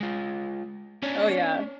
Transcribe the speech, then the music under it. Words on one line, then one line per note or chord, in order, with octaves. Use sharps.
Oh, yeah,
G#3 F4
C#4 D4 C#5 D5